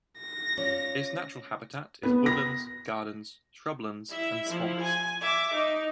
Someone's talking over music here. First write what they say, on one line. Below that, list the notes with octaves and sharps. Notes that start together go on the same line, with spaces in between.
Its natural habitat is woodlands, gardens, shrublands, and swamps.
A#6
C#4 F4 D5
B3
A#6
E4 E5
F3 E4
G#5
E5 D6
D#4